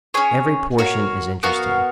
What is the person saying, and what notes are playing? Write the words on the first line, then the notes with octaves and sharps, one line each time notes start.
Every portion is interesting.
C#4 G#4 C#5
F#4 A#4 C#5 F5
B3 F#4 A#4 F5